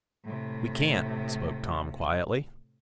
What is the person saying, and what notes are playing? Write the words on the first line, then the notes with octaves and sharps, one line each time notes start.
"We can't," spoke Tom, quietly.
A2 C3